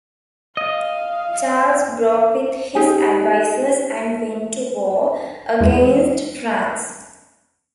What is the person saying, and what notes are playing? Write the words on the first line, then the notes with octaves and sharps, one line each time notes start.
Charles broke with his advisors and went to war against France.
D#5 F5
D#4 G4 G#4 G#5
E2 G#3